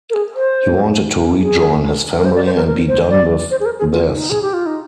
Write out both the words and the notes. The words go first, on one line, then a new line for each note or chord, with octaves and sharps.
He wanted to rejoin his family and be done with this.
A#4
G#4
C5
G#4
A#4
C5
D5
C5
A#4
A#4
C5
D5
C5
G#4
A#4
G#4
F4
D#4
G#4
G4
F4
D#4